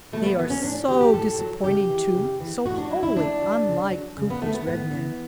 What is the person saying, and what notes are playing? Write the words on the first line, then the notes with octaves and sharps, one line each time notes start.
They are so disappointing, too--so wholly unlike Cooper's red men.
B2 A3
B3
F#3 B3
C#4
A2 D4
F#3 G4
G4
A2 A4
F#3
C#3 G4
E3
C#3
E3
A2 F#4
D4
F#3 E4
E4
A2 D4
F#3
C#3
F#3
C#3
B3
F#3 A3
B3
A2 B3
E3